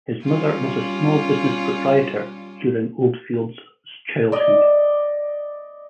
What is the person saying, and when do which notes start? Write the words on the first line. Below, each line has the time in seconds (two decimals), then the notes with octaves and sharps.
His mother was a small business proprietor during Oldfield's childhood.
0.23 G3 C#4 F4
4.32 D5 D#5